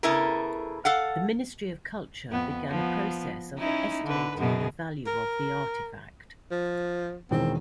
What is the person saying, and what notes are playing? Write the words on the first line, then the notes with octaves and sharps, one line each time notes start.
The Ministry of Culture began a process of estimating the value of the artefact.
C#3 B3 E4 A4 A#4
A4 F5 F#5
F2 B3
F3 B3
C#4 D#4 E4
D3 B4
F#2 B2 G#4
A#4
F3
E1 E2 D#3 C4